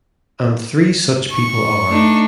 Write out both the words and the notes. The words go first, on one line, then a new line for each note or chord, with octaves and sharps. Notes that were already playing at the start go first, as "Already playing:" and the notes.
And three such people are.
C#6
A3 D4 D#4